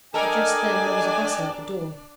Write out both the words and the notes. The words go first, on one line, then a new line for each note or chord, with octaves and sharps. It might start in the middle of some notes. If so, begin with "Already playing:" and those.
But just then there was a bustle at the door.
D4 A4 A#4 D5 D#5 G5 G#5